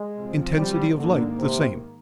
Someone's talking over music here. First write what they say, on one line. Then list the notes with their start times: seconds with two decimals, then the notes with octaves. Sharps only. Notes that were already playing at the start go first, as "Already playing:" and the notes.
Intensity of light the same.
Already playing: G#3
0.16 C3 F3 C4
0.56 G3
0.97 G#2 D3 D#3 A#3
1.37 C3